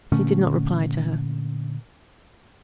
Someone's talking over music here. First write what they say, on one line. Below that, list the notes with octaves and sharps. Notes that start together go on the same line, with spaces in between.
He did not reply to her.
A#2 D3 A3 C#4